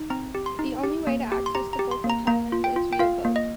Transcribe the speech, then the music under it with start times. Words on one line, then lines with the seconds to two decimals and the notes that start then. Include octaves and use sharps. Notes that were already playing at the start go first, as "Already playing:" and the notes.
The only way to access the Gulf of Thailand is via boat.
Already playing: D#4
0.10 C4 A#5
0.35 G4
0.46 C6
0.59 D#4
0.84 G4
1.07 A#3
1.32 G4
1.46 C6
1.55 G4 A#5
1.73 A#5
1.79 G4
1.91 C6
2.04 A#3
2.10 A#5
2.27 A#3 A#5
2.52 F4
2.64 G5
2.76 F4
2.93 G5
2.99 F4 F5
3.25 A#3
3.36 D#5